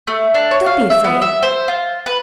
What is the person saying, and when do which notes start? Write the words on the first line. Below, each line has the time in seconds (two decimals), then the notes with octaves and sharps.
Don't be afraid.
0.07 A3
0.34 D4
0.51 C#5
0.66 F5
0.90 E5
1.04 B3
1.22 E5
1.43 C5
1.68 F4
2.06 B4